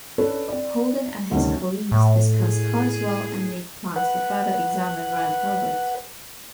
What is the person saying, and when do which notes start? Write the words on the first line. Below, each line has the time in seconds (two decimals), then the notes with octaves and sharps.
Holden and his colleagues discuss Karswell and make plans to further examine Rand Hobart.
0.18 C#4 D4 A4 B4 C#5
0.48 C4 D5
1.31 D2 G2 C3 D#3 C#4
1.92 A2
2.38 G#4
3.96 B4 F#5